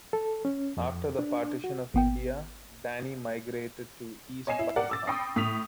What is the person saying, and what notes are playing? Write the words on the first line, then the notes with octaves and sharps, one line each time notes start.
After the Partition of India, Dani migrated to East Pakistan.
A4
C#4
F2
D4
F#4
G#1 B3 G5
C#5 D#5 G#5 C7 E7
E4
G4 A#4 D5 F#5
D6 E6 A6
G5 B5 C#6 D#6 A#6 C7
A2 D#6 B6 F7